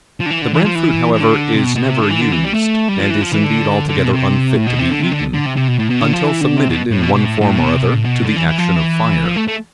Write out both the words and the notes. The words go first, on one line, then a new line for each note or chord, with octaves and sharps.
The bread-fruit, however, is never used, and is indeed altogether unfit to be eaten, until submitted in one form or other to the action of fire.
F3
D3
E3
D3
E3
F3
E3
E3
D3
C3
B2
B2
C3
D3
E3
D3
E3
G3
A3
G3
F3
E3
F3
E3
D3
D3
C3
B2
C3
A2
B2
C3
D3
C3
D3
D3
C3
C3
B2
A2
B2
D3
F3
E3
D3
C3
B2
A2
B2
B2
A2
A2
B2
C3
B2
A2
B2
D3
E3
E3
F3
E3
F3
A3
A3